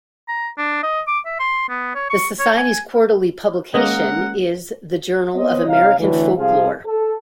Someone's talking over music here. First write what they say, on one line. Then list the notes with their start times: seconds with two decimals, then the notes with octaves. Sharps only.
The Society's quarterly publication is the "Journal of American Folklore".
0.28 A#5
0.58 D4
0.83 D#5
1.08 D6
1.26 E5
1.40 C6
1.69 B3
1.95 C#5
2.10 C#6
2.39 C#5
2.57 G#5
3.74 G#3 A#3 C#4 A#4 D#5 F#5
5.35 B3 C4 C#5 D#5
5.67 C2 D#4 C#5 F5
5.98 D2 A2 D3 E3
6.38 C2 F3 G4 G#4 F5
6.86 A4